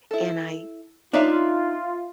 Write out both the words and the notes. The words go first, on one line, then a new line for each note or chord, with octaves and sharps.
and I
E4 A4
D4 D#4 F4 C#5 E5 F5